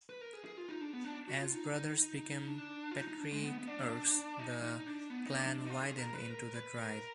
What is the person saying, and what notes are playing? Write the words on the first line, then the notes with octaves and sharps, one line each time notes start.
As brothers became patriarchs, the clan widened into the tribe.
B4
A#4
G#4
G#4
F4
D#4
D4
B3
D4
F#4
F4
D#4
D4
F4
D#4
D#4
D4
G#3
B3
B3
D4
D#4
D#4
D4
B3
D#4
D4
D4
D4
D#4
F4
G#4
A#4
B4
A#4
B4
A#4